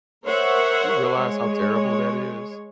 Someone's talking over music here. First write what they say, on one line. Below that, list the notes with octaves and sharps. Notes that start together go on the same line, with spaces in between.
You realize how terrible that is?
A#4 C5 C#5 E5 F#5
G#3 C#5